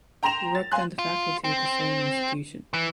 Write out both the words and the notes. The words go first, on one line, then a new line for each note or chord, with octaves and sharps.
He worked on the faculty at the same institution.
G5 A#5 C6 A#6 E7 F7
A6
F5 G#5 C6 F#6
F4
C4
E3